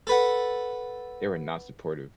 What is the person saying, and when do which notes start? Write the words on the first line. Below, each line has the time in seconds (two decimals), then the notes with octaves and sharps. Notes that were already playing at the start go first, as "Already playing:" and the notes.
they were not supportive.
0.07 A4 B4 F#5